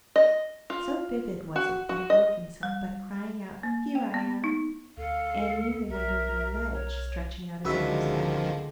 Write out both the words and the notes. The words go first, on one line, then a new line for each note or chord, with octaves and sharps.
So vivid was it that he woke himself by crying out, "Here I am!" and nearly went over the ledge, stretching out his arms to Abner.
D#5
F4
F#4
F#4
D#5
G3
A#3
G5
B3
D#4
D2 A4 F5
B1 A#4 E5
C#5
C#2 D3 D#3 F3 G#3 F#4 B4 E5